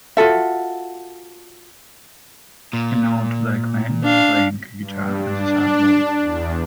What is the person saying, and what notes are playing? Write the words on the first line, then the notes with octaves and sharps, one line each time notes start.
An old black man, playing a guitar on the sidewalk.
F4 F#4 A4 E5
A#2
D4 F5
G2
D4
E2